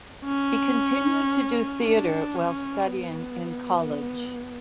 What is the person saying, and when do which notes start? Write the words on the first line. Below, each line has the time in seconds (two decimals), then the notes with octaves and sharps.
He continued to do theatre while studying in college.
0.25 C#4
1.82 D4
2.35 C#4
2.88 B3